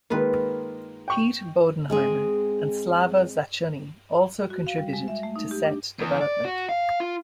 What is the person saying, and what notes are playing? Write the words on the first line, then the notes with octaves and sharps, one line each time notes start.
Pete Bodenheimer and Slava Zatchuny also contributed to set development.
D#3 G#3 A#3 F4 B4
G5 C#6
G#3 C4 G#4
F#4
F5
G3
G#3
E5
A3
D#4
G4
D4
E2
D5
F#4
F5
F4